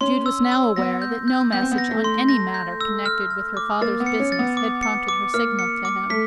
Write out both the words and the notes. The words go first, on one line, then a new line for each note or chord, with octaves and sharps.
Jude was now aware that no message on any matter connected with her father's business had prompted her signal to him.
C#4 C6
E6
E6
B3 A#6
G6
G6
B3 G6
C4
B3
A#6
A3
C6
A#6
G6
E6
F6
F6
D6
A#3 A6
B3
C#7
C#4
A6
B3
D6
C#7
D6
A#3 F6
C#7
D6
A3 B6